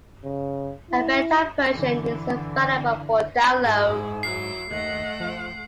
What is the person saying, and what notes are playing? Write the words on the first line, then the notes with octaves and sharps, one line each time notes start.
A beta version is available for download.
C#3
E4
D3 E3
G#2 E4 G#4
F#3 E4 C7
D#2 A3 D#5 F#5
F3